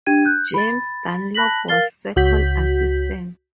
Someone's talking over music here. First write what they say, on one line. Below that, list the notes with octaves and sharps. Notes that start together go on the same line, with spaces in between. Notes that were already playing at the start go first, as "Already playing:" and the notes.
James Dunlop was second assistant.
D4 G4 G5 G#6 D#7
F#6 G6
B5 A6
A5 B5 F#6 A#6 B6 F#7
A#4 F5 F6 A6 C7 G7
C#2 F#4 G6 B6